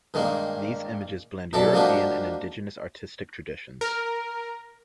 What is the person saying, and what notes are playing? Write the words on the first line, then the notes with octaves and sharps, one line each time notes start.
These images blend European and indigenous artistic traditions.
G2 D#3 G#3 A#3
B2 F#3 A4 D5 E5 D6
F3 G#3 A#3 D4 F#4 G4
A#4